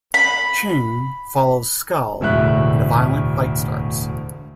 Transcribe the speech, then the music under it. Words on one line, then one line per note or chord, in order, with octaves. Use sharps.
Ching follows Skull and a violent fight starts.
B5
E1 D2 A2 E5 F#6